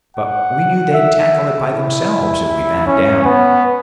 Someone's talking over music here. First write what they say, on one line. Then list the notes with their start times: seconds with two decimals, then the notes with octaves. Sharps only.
But we knew they'd tackle it by themselves if we backed out.
0.17 F#5
0.94 E5
1.71 E4
2.87 C#4
3.25 B3